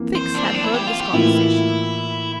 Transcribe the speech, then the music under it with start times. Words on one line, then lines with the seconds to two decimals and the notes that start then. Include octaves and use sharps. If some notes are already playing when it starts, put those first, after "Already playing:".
Fix had heard this conversation.
Already playing: F2 E3 A#3
0.15 C5
0.35 D4
0.45 C4
0.54 D4
0.64 E4
0.74 G4
0.87 F4
1.01 G4
1.13 A2 E3 A#3 E4 F4